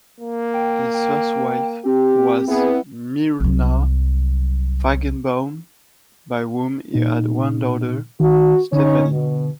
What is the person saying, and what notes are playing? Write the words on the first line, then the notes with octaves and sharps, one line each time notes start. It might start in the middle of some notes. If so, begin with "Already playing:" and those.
His first wife was Myrna Feigenbaum, by whom he had one daughter, Stephanie.
A#3
G5
G5
C4 G4
B3 E4 G#4
C2 F#3
A#2 D#4
D#3 F#4
D3 C#4 D#4 C#5
B2